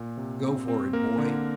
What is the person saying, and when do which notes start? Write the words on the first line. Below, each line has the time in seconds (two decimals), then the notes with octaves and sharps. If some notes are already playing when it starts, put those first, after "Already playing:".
Go for it, boy.
Already playing: A#2
0.17 C3
0.43 C4
0.68 C4
0.93 A#3 A#4
1.18 D3